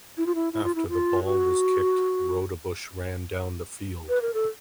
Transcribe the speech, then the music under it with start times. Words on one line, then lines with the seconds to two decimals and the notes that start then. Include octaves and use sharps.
After the ball was kicked, Roudebush ran down the field.
0.17 E4
0.26 F4
0.35 E4
0.53 E4
0.64 F4
0.75 E4
0.89 F4
1.24 F#4
4.09 B4
4.22 A#4
4.34 A4